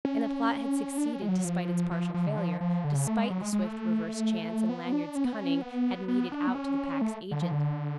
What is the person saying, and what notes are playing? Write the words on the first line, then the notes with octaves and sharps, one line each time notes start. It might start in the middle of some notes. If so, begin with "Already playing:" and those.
And the plot had succeeded despite its partial failure, despite the swift reverse chance and Lanyard's cunning had meted out to the Pack's agent.
C#4
D4
C#4
G#3
F#3
F3
F3
F3
D3
F3
F3
D3
C#3
A3
G#3
F#3
G#3
G#3
A3
B3
D4
C#4
B3
C#4
B3
B3
D4
B3
C#4
A3
D3
F3
D3